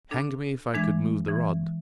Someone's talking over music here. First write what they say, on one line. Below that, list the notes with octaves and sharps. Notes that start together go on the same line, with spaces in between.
Hang me, if I could move the rod!
D4 A4
E3 G#3 D4 G#6
E3